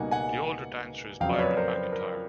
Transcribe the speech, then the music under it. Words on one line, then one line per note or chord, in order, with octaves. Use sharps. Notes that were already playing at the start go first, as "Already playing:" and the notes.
The older dancer is Byron McIntyre.
Already playing: C#2 B2 G3 A#3 D#4 F#5 G#5
F#5 G#5
F2 C#3 F#3 F5 G5
D5
B4 C#5
A#4 C5
A#4
A#4